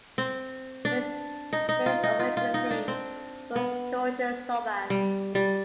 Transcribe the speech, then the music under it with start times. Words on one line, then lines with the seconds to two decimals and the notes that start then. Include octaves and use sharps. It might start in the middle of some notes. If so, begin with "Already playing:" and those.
His original name was Georgios Zorbas.
0.18 C4
0.85 D4
1.53 D#4
1.69 D#4
1.86 F4
2.04 D#4
2.19 F4
2.37 F4
2.54 D#4
2.71 D4
2.88 C4
3.56 B3
4.90 G3
5.35 G3